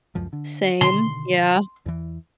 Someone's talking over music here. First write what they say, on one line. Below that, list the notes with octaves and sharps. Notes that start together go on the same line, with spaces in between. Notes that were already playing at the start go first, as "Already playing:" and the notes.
Same, yeah.
C#2 F#2 F3
D3
B2 D3 D#3 C6
E2 E3